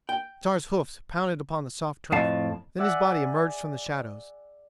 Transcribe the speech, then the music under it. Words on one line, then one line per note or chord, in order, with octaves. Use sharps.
Star's hoofs pounded upon the soft turf, then his body emerged from the shadows.
G5
F2 A2 F5 A5
G#4 D5 E5 F#5 G#5